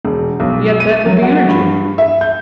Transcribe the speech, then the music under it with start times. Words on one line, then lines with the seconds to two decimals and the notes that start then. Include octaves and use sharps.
Yet that would be energy.'
0.05 E1
0.40 B1
0.80 D#7
1.06 F#3
1.22 F#4
1.49 G2
1.98 E5
2.21 G6